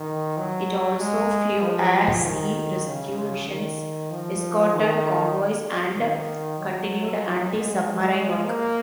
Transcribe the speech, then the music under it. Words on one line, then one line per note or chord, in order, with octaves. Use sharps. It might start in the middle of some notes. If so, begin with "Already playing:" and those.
It also flew air sea rescue missions, escorted convoys and continued anti-submarine work.
Already playing: D#3
F#3
G#3
F3
D#3
C#3
C#3
D#3
F3
D#3
D#3
F#3
F#3
G#3
A#3